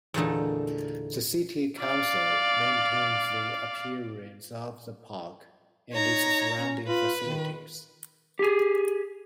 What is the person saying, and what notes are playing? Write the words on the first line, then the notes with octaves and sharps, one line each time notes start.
The City Council maintains the appearance of the Park, and its surrounding facilities.
E2 A#2 D3 A3 D#4
D5 F5
D#4 C#5 A#5
C#4
F4 B4
D#3
G4 G#4